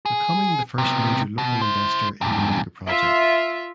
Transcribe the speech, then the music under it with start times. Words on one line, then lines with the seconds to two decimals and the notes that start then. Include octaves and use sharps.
Becoming the first major local investor in the megaproject.
0.06 G#4
0.78 C3 B3
1.38 B2
1.62 E4 C5
2.21 E2 G2
2.88 F4 E5